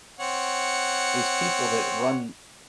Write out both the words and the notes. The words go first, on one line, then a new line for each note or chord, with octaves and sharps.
these people that run
C4 C#5 F#5